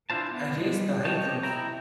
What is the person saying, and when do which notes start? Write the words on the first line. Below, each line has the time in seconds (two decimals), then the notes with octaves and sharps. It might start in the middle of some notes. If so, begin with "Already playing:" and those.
I raised the eyebrows.
0.10 D4 E4 F4 C5 A5
0.31 B3
0.57 G3 G#3
1.05 C#5 D#5 G5 A5
1.43 E4 G5 A#5